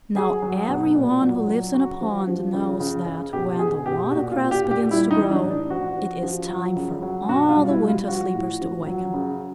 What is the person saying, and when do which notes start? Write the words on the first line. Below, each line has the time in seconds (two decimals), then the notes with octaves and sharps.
Now every one who lives in a pond knows that when the watercress begins to grow, it is time for all the winter sleepers to awaken.
0.15 F#3 G#4
0.42 F#3
0.69 B2
0.95 A#2
1.21 F#3
1.48 F#3
1.74 C#3 F#4
2.01 F3
2.27 F3
2.54 C#3
2.80 C#3
3.06 C#3
3.33 B2 G4
3.59 B2 G#4
3.86 B2 G4
4.12 A#2 F#4
4.32 F4
4.39 A#2
4.51 G4
4.65 A#2
4.71 G4
4.91 G3 E4
5.11 D#4
5.17 E3
5.31 D4
5.44 A2
5.51 D4
5.70 F3 F#4
5.97 F3
6.23 F3
6.49 F#3
6.76 C#3
7.02 F#3
7.29 B2 F#4
7.49 F4
7.55 G3
7.68 E4
7.82 G3
7.88 F4
8.08 F3 F#4
8.34 A2
8.61 F3
8.87 F#3
9.14 C#3